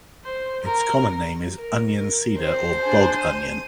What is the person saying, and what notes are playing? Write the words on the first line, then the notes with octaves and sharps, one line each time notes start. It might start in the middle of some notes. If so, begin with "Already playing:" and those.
Its common name is onion cedar or bog onion.
C5
A#4
A#4
A#4
C4 C5
D4 G#4
D#7